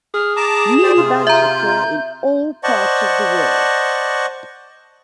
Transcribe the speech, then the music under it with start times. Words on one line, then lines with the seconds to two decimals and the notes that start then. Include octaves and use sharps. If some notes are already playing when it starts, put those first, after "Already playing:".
Mealybugs occur in all parts of the world.
0.14 G#4 F6
0.37 A5 A#5 D6 E7
0.83 G4 C5 D5
0.97 C3 F4
1.27 E5 A#5 G6
2.63 C5 D5 D#5 F#5 A5 C#6